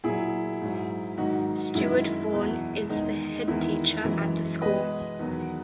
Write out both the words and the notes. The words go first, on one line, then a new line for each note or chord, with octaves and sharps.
Stewart Vaughan is the Headteacher at the school.
A#2 F#3 E4 G#4
G#2 F#3
G#2 D#3 F#3 D#4 F#4
F#2 D#3 G#3 E4
E2 B2 F#3
E2 D#3 G#3 D#4
E2 D#3 G#3 E4
F#2 E3 G#3
B2 G#3 B4 D#5
E2 D#3 F#3